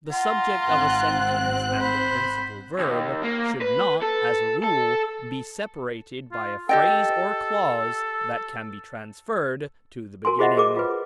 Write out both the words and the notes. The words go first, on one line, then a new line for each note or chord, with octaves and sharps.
The subject of a sentence and the principal verb should not, as a rule, be separated by a phrase or clause that can be transferred to the beginning.
F4 F#5 A#5 C6
G#1 C4 F#6
C5 B5
D#2
A#3
B4
A4
A4
F4
G4 A4 D#5 G5
F#4 A#4 G#5 C6
F4 G#4 C5 D#5 E5 F#5
G#4 A#4 D6
F4 B4